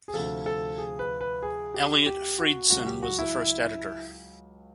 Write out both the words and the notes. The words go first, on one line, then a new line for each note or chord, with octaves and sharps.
Eliot Freidson was the first editor.
G#4
D2 C3 F3 A4
A4
G#4
B4
B4
G#4
G4
G4
F#4
C#2 C#3 F#3 F#4
G4
F#4
E4